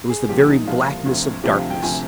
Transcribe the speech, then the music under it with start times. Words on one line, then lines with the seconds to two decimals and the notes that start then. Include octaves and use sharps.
It was the very blackness of darkness.
0.09 G#4
0.29 C2 A#2 F3 G4
0.48 D#4
0.67 C2 A#2 F3 F4
1.06 D2 C3 F3
1.44 D2 C3 F3 G4
1.57 F5
1.70 G5
1.82 D2 C3 F3 G#5